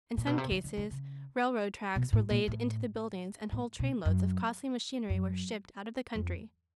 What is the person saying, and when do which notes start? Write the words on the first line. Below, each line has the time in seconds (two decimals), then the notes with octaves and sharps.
In some cases railroad tracks were laid into the buildings and whole trainloads of costly machinery were shipped out of the country.
0.17 A#2
0.27 B2
0.38 C3
0.51 D3
0.64 D3
0.77 D3
0.90 C#3
1.96 B2
2.13 A2
2.30 A#2
2.48 A2
3.52 A2
3.79 B2
4.05 F#2
5.10 F#2
6.15 F2